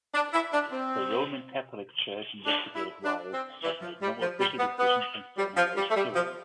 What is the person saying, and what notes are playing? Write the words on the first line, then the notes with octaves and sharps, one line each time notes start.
The Roman Catholic Church investigated Wise, but made no official decision concerning her experiences.
D4
E4
D4
C4
D4
E4
D4
C4
E3
F3
G3
F3
G3
B3
B3
G3
F3
G3
A3
G3
F3